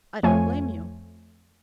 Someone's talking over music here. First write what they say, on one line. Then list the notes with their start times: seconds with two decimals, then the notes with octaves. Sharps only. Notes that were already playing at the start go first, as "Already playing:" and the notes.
I don't blame you.
0.23 F2 F3 A3 F4 C#5 G#5